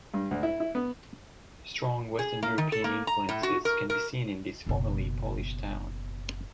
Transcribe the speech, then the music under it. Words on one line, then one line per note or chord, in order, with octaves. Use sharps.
Strong Western European influences can be seen in this formerly Polish town.
G2
D2
E4
E4
B3
G#4
A#3
D#3
A4
A#3
A#5
A2
F#4
A#4
A#4
F#1 B2